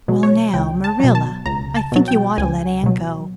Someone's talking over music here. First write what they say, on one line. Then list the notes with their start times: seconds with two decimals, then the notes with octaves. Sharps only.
"Well now, Marilla, I think you ought to let Anne go."
0.08 B2 F#3
0.23 C#5
0.54 C#2 G5
0.84 A5
1.00 B2 F#3
1.15 A5
1.46 C#2 A#5
1.76 A5
1.92 B2 F#3
2.08 G5
2.38 C#2 G#5
2.84 B2 F#3